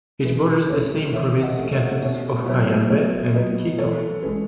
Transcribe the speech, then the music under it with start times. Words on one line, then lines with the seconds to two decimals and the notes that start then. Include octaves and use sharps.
It borders the same-province cantons of Cayambe and Quito.
0.25 E3 G#4 B4
0.69 A3 C#4 A4 C#5
1.13 E3 C#5 E5
1.43 D#5 F#5
1.58 A3 C#4
1.72 C#5 E5
2.01 B2 C#5 E5
2.46 F#3 B3 C#5 E5
2.90 B2 C#5 E5
3.34 F#3 B3 B4 D#5
3.78 E3 A4 C#5
4.23 G#3 C#4 G#4 B4